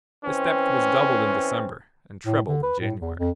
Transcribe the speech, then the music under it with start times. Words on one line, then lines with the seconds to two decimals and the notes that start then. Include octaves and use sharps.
This depth was doubled in December, and trebled in January.
0.24 E3 C4 C#4
2.25 A2
2.48 D3
2.63 B4
2.80 A2
3.01 E2
3.19 F2